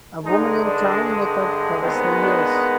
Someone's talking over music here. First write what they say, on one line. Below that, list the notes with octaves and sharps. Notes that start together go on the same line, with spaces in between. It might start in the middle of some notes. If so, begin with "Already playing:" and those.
A woman in clown makeup covers her ears.
G2 D3 G#3 D#4
D4
D#2 D#3 G#3 B3 C4
D4